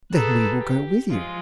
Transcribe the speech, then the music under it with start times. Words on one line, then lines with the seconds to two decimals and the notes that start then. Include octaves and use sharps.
"Then we will go with you."
0.13 G#4 A4 B4 A#5 E6 F#6
0.61 G4
1.09 F3 G#3 F4